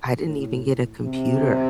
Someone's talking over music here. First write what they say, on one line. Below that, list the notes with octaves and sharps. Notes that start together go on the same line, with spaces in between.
I didn't even get a computer
A2
C3